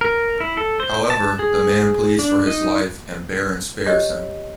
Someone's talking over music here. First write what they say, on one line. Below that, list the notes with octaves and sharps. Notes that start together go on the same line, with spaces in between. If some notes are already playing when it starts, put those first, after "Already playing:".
However, the man pleads for his life and Baran spares him.
A#4
E4
A4
C5
A5
G#4
D4
D#4
G4 C#5 D#5